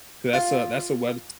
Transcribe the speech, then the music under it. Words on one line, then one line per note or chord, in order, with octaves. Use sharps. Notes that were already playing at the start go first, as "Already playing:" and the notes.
That's a that's a webs
F4